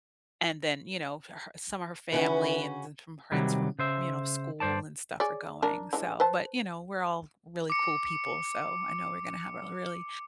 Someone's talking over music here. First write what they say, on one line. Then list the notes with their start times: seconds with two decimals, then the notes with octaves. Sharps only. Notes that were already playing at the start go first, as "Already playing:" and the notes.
And then, you know, for her some of her family and then some friends from, you know, school and stuff are going, so but, you know, we're all really cool people, so I know we're gonna have a really
2.12 C#3 E3 C#4 F#4 B4
3.32 C3 D#3 F#3 G3
3.79 C#3 C5 E5
4.60 G2 C5 D5 A5
5.20 G#4 C#5 D5
5.63 D4 A#4
5.93 E3 G#3 D4
6.20 B4 C5 A5
7.70 D6 C#7